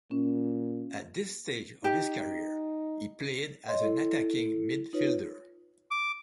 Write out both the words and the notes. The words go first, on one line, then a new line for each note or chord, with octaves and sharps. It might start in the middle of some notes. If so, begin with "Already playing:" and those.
At this stage of his career, he played as an attacking midfielder.
A#2 C#4
D#4 G4
C#5 D#5 C6
E4 A4
D#4 F4 B4 C#5
D6